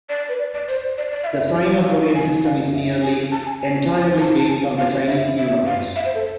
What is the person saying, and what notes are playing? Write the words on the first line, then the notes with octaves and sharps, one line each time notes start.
The Sino-Korean system is nearly entirely based on the Chinese numerals.
D5
B4
D5
D5
C5
D5
D5
F5
E5
F5
F5
G#5
F5
E5
G#5
A5
G#5
G#5
A5
A5
G#5
F5
F5
E5
E5
F5
E5
C5
A4